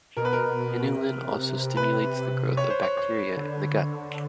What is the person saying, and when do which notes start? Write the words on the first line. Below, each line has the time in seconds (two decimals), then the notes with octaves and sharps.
Inulin also stimulates the growth of bacteria in the gut.
0.17 B2 A#4
0.25 B4
0.33 A#4
0.97 C3
1.77 B4
2.57 C#5
2.70 C5
2.83 C#5
2.97 C#5
3.37 D3